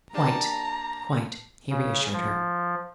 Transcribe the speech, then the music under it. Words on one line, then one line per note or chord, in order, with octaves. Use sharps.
"Quite--quite," he reassured her.
A#3 D4 G4 A5 A#5
C#3
F3